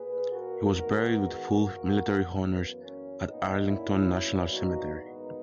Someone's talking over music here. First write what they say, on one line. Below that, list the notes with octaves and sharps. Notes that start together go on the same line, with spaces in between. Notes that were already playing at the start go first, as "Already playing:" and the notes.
He was buried with full military honors at Arlington National Cemetery.
Already playing: A#2 A#3 G#4 B4
F#4 A#4
G#2 D#3 G#3 B3 F#4 A#4
F#4 A#4
A#2 A#3
F#2 E3 A#3 B3
C#4
A#2 A#3 B3 D#4
C#4 E4
A#2 F#3 B3
D#4 F#4
G#2 D#3 A#3 B3 D#4